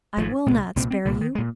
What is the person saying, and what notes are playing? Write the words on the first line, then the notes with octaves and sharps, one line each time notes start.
I will not spare you.
G#1 G#2 F3
C2 A#2 G#3
C2 A#2 C4
C4
C2 A#2 D3
D#3
G#3
A#2